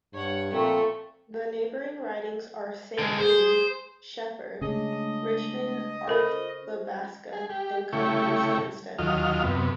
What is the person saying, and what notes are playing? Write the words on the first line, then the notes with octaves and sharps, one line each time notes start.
The neighbouring ridings are Saint-Jean, Shefford, Richmond-Arthabaska, and Compton-Stanstead.
G2 C#5 F#5
A#2 F3 A3 C4 A4 C#6
D3 G#3
G#4 C5
C#3 G#3 A3 D4 D#5
C#4 F4 A4 A#4 C5 B5
G#4
G4
C#3 A3 E4 G5 C#6
D#2 F#3 F4 D#5 F6
F#2 C3 B3